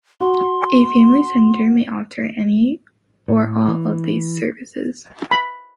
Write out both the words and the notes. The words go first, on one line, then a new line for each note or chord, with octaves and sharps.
A family centre may offer any or all of these services.
F#4 C6
A2
E3
B5